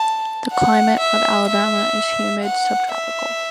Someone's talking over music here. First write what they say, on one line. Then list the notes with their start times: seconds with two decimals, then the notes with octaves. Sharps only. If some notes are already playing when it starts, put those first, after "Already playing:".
The climate of Alabama is humid subtropical.
Already playing: A5
0.52 F#5
1.00 E5
1.48 E5
2.44 F#5
2.92 E5